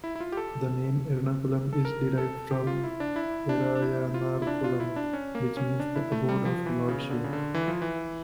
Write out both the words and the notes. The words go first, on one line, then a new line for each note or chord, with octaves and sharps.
The name "Ernakulam" is derived from "Erayanarkulam" which means the abode of Lord Shiva.
E4
E4
F4
G4
A4
A4
A#4
A4
G4
F4
E4
D4
E4
D4
D4
E4
F4
E4
D4
F4
E4
D4
C#4
A#3
C#4
D4
E4
A3
G3
F3
E3
C#3
D3
C#3
D3
E3
F3
E3